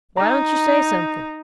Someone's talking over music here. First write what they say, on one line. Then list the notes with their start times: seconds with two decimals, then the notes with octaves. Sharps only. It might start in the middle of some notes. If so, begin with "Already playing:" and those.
"Why don't you say something?"
0.17 D#4 A#5